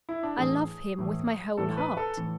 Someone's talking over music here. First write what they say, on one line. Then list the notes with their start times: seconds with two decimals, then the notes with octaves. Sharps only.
"I love him with my whole heart."
0.09 E4
0.23 D4
0.38 A2 E3 G#4
0.98 A2 E3
1.57 A2 E3 A4
1.77 B4
1.97 A4
2.17 A2 E3